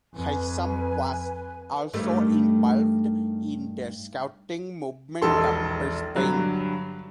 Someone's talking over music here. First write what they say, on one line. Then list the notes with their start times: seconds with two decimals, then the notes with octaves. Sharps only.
Haysom was also involved in the Scouting movement of Brisbane.
0.14 F2 B4 G#5
1.93 G2 D#3 A3
5.22 E1 A#1 D#4 A4 C6
6.16 G2 D3 F#3